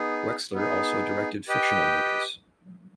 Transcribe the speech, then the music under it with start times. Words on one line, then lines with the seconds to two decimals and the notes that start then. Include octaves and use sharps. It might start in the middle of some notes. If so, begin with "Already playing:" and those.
Wexler also directed fictional movies.
Already playing: B3 D#4 G#4
0.53 B3 D#4 G#4
1.48 G4 B4 D#5 G5